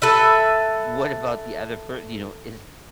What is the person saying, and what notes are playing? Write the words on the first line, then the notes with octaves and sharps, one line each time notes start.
what about the other per you know, is
A4 B4 E5